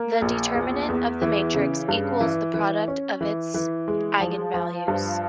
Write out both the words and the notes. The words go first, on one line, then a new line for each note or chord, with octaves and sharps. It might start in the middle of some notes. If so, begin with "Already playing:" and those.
The determinant of the matrix equals the product of its eigenvalues.
Already playing: A#3
A#1
E2
E2
E3
C#3
G2
E3
E3
C#4
E3
E3
G#3
F3
F3
G2